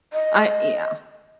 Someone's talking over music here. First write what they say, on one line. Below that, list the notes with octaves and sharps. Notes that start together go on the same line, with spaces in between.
I uh yeah.
D#5